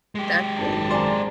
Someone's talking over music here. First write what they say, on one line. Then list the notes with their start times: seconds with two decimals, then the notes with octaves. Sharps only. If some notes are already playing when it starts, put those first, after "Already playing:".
That's really neat.
0.15 G#3 G4
0.58 G#1 F#2 A5
0.91 C5 D5 G#5 A#5 C6